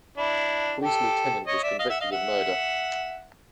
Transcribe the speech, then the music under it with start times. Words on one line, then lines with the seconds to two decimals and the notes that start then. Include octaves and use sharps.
A police lieutenant was convicted of murder.
0.17 D4 E4
0.82 G4 A4
1.46 C#5 D#5
1.63 D5 E5
1.79 D#5 F5
1.89 E5 F#5
2.00 D#5 F5
2.11 E5 F#5